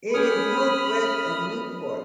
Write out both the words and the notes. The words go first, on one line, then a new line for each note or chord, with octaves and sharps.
It is north west of Newport.
C#4 G4 G#4 B5 D#6 F6